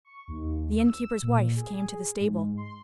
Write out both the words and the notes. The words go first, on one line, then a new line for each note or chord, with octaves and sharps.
The inn-keeper's wife came to the stable.
C#6
D#2
E6
A#2
G#4
G#2
C6